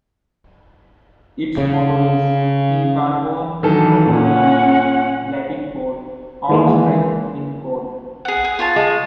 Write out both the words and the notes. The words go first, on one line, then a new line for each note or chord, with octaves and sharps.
Its motto is "In Carbone Robur Nostrum", Latin for "Our Strength in Coal".
C#3
D#3 E3 F#3 D4 A4
A#2 C#4 F#5
D#3 E3 G#3 A#3
G#4 F#5
G#4
F4 C#5 A5
G#3